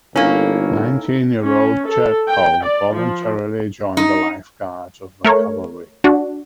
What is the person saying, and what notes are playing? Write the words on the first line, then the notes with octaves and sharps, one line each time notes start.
Nineteen-year-old Chertkov voluntarily joined the Life Guards of the Cavalry.
G1 A#3 C#4 D#4 E4 A4
C#4
A4
G5
D5
F3
D#4
A3 A#4 C#5
D4 F#4